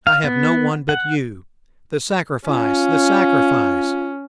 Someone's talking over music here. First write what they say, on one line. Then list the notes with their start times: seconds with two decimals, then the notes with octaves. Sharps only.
I have no one but you. The sacrifice, the sacrifice!
0.07 F5
0.24 B3
0.89 F#5
2.48 C#4 F4